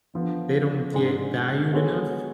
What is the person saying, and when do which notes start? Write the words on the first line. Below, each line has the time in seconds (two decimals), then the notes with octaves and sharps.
they don't get valued enough
0.14 D3 F3 B3
0.94 G#2 G#3 D4 G#4
1.73 G#3 B3 F#4 A4 C#5